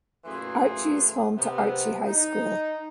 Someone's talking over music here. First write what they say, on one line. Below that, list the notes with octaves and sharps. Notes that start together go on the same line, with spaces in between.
Archie is home to Archie High School.
F#2 A#2 E3 A3 G#4 C6
C3 B3
D#4